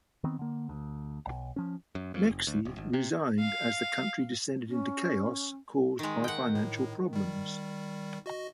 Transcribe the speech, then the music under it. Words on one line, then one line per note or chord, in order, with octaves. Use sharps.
Meksi resigned as the country descended into chaos caused by financial problems.
D#3 B3 C4
D3 A#3
D2
B1
F3 C#4
F#2
F2
F#1
D2
D1
G#1
C3
F5
C#4
D#3 G#3
F#5 G5
A2
D#3 G3
F#4 D#5